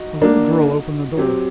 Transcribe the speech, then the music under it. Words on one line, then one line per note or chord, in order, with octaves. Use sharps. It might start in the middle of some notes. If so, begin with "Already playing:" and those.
A little girl opened the door.
Already playing: D#4 F#4
A#3 D4
F#3 C4 G4